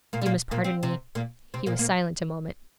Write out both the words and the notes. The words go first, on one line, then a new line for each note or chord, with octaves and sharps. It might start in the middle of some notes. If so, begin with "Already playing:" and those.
You must pardon me.' He was silent a moment.
A#2 A#3
G3
A#2 A#3
A#2 A#3
C4
C3 C4
A#2 A#3
C3 C4
A#2 A#3
A#2 A#3